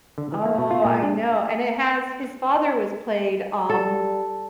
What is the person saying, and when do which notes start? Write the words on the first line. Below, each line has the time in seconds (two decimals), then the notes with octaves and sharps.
Oh, I know. And it has his father was played, um
0.18 D3
0.32 E3
0.45 A#3
0.58 B2
0.71 F4
0.85 A#2
1.03 D4
3.69 G3 A4